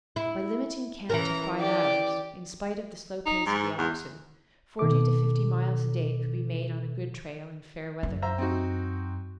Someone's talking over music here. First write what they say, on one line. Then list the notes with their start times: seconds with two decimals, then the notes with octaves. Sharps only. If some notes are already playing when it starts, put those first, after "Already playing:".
By limiting camp to five hours, in spite of the slow pace of the oxen, forty to fifty miles a day could be made on a good trail in fair weather.
0.16 E4
1.10 E3 C#4 A#4 A#5
1.59 G4 D5
3.26 D#4
3.46 G#2
3.78 E2
4.79 B2 D#3 A4 D6
8.03 F#2
8.22 C5 E5 A#5
8.38 C4 D#4 F#4